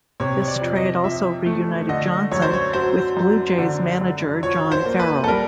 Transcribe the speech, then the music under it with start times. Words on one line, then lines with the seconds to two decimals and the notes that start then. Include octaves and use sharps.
This trade also reunited Johnson with Blue Jays manager John Farrell.
0.20 C3 C#5
0.42 C#5
0.48 D5
0.62 F2
0.76 D#5
1.04 F3 E5
1.46 A3
1.89 D3 D#5
2.32 F#2 C#5
2.42 C5
2.53 C#5
2.73 F#3 C5
3.17 F#2
3.58 D3
4.01 F#2
4.43 F3 C#5
4.72 C5
4.86 A#3
4.99 B4
5.24 A4
5.28 G3 A#4